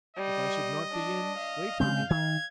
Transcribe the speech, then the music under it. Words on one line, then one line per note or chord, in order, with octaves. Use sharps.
"If I should not be in, wait for me."
G3 D#5
D4
F5
C#3 G#3 C4 G6
D#3 G#6